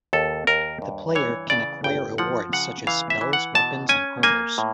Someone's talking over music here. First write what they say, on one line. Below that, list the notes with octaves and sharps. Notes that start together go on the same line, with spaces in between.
The player can acquire awards such as spells, weapons, and armors.
D#2 A4
D#2 A#4
G2
E3 C#5
C#3 D5
G1 G5
F3 F#5
C#3 F#5
E3 F5
E5
E3
F#5
B2 A5
C#4 G#5
A#3 G#5
A2